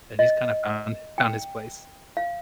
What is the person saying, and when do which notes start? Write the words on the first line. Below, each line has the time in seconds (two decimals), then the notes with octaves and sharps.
and he's kinda found found his place.
0.19 D#5
1.18 G5
2.17 F5